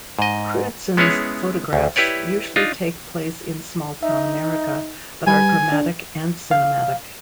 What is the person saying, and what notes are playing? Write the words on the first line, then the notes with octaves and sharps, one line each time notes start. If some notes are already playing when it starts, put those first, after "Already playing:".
Crewdson's photographs usually take place in small-town America, but are dramatic and cinematic.
G#2 D#5
G#3 B3 C#4 E4 G#4 C#5
D2
E4 G4 B4 C#5 D5
D4 D#4 F4
D#4 E5
G3 B4 G#5
D4
F5